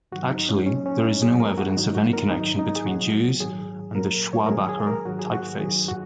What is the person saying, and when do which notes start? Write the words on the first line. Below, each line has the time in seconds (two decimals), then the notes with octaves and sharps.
Actually, there is no evidence of any connection between Jews and the Schwabacher typeface.
0.12 G#2 D#3 F#3 F#4
0.31 D#4
0.49 C#4
0.66 A#2 F#3 C#4
0.86 C#4
1.03 D#4
1.22 G#2 F#3 G#4
1.40 A#4
1.58 F#4
1.77 G#2 D#3 F#3 D#4
1.95 F#4
2.13 A#4
2.31 G#2 D#3 F#3 D#4
2.59 D#4
2.76 G#4
2.86 A#2 F#3 F#4
3.40 G#2 D#3 F#3 G#4
3.95 A#2 F#3 A#4
4.33 C#5
4.46 A#4
4.50 F#2 D#3 F#3 G#4
4.69 G#4
4.87 A#4
5.06 G#2 D#3 F#3 F#4
5.19 G#4
5.32 F#4
5.60 F#2 D#3 F#3 G#4
5.88 F#4